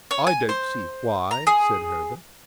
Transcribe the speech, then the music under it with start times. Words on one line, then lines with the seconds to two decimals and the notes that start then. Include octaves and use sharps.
"I don't see why," said Herbert.
0.11 C#5
0.27 G#5
0.49 C5
1.31 A#5
1.47 G#4